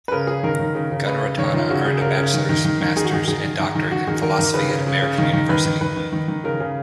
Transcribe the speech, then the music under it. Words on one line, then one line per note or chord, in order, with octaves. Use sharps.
Gunaratana earned a bachelor's, master's, and doctorate in philosophy at American University.
B4
C#3 A#4
C#3 G#4
D#3 A#4
D#3
C#3
C#3
C#3 B4
C#3
D#3 C#5
D#3 F4
C#3 F#4
C#3 G#4
C#3 A#4
C#3
D#3
D#3
D#3
D#3
D#3 G#4
F#4
D#3 G#4
D#3 G#4
D#3
D#3
D#3
D#3 F#4
D#3 G#4
D#3 A#4
D#3
C#3 B4
C#3
C#3
C#3
D#3
D#3
D#3 B4
D#3
D#3 B4
D#3
D#3
D#3
C#3 A#4
C#3 G#4